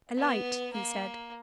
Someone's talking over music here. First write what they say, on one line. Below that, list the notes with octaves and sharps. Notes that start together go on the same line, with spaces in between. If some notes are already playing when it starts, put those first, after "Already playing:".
"A light," he said.
B3
A#3